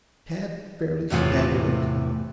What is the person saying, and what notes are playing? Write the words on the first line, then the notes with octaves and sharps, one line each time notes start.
Tad fairly staggered up to them.
E2 A2 C3 E3 F4